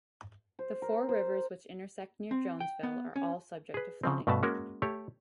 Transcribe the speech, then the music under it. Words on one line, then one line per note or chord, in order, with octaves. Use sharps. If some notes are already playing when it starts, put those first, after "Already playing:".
The four rivers which intersect near Jonesville are all subject to flooding.
C5
A#4
C5
C4
G5
B3
C#4
G#4 B4
C#3 F3 C4
G2 B2 A3 B4 A5
G#3 A#3 C#4 F#4 A#4
A3 G4 C#5